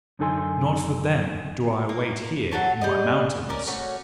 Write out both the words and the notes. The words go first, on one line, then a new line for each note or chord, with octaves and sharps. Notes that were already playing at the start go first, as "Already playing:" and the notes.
Not for them do I wait here in my mountains.
F#2 D3 D#4 A4 G#5 C6
A#3
F#3 F#4 A4 C#5
G3 G#4 D5 D#5
C#4 A#4 D5
A3 C#4 F#4 C#5